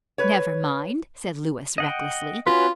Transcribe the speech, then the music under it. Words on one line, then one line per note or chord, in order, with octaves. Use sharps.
"Never mind," said Louis recklessly.
B4 C#5
D#5 F#5 G5
C#4 F4 F#4 B4